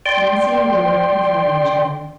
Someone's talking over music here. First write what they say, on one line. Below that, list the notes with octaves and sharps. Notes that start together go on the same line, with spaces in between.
Nancy and Gilbert confronted each other.
D5 G5 C6